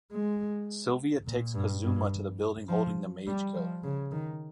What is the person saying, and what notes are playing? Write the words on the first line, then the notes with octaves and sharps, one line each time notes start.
Sylvia takes Kazuma to the building holding the Mage Killer.
G#3
A#2
G2
G2
F3
G3
F3
C#3
D#3